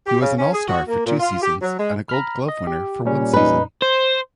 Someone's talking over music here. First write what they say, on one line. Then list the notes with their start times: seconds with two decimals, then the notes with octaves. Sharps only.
He was an All-Star for two seasons and a Gold Glove winner one season.
0.07 G4
0.22 C#3
0.39 C#4
0.53 G#4
0.68 F#4
0.88 A#3
1.05 A#2
1.19 F4
1.42 G4
1.62 F#3
1.79 G#3
2.09 A#5 B5 F6
2.48 D#5
2.67 G4
3.05 A#2 G3 C#4
3.33 D#4 B4
3.82 C5